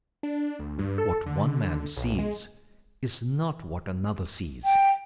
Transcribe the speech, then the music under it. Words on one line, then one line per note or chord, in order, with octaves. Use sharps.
What one man sees is not what another sees.
D4
D2
G2
A4
D3
B1
G#3
G5